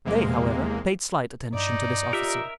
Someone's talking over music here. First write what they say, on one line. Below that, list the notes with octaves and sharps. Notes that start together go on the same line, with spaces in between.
They, however, paid slight attention to this officer.
E2 C3 G#3 A#3
G2 D#4 D5
F4 G4 A#4 E5